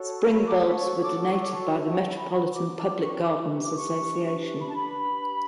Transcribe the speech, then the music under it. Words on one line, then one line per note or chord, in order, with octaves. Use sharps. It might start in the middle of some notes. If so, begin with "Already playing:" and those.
Spring bulbs were donated by the Metropolitan Public Gardens Association.
Already playing: F#4 A4 C#5
B5
D6
B5
C#6
D6
C#6
D6
C#6
E5
F#5
G5
A5
B5
D6
D6
D4 G4 B4 C#6
C#6
D6
C#6
D6
C#6
B5
A5
B5